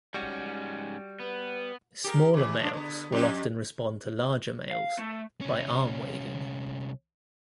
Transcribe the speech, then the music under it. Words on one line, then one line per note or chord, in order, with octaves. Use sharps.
Smaller males will often respond to larger males by arm waving.
G#2 G3 C#4 F#4
B3 B4
G4 G#4 A#4
D#2 E3
F3 G3 D4
D3 B3
F2 G4
F5
A3
C2 C#4